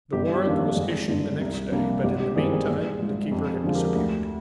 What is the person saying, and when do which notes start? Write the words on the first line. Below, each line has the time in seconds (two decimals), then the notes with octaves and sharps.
The warrant was issued the next day, but in the meantime the keeper had disappeared.
0.13 G1 G4
0.34 G4
0.44 F2 D#3 A#3 D4
0.55 G4
0.76 G#1 G#4
1.08 G2 D3 G#3 D4
1.41 C2
1.72 C3 G3 A#3 D4
2.04 G#1 G4
2.20 G4
2.36 G2 D#3 G3 C4 G#4
2.53 G#4
2.68 A#1
3.00 G#2 F3 G#3
3.32 F2 G4
3.54 G#4
3.64 D3 F3 G#3
3.74 G4 A#4
3.95 D2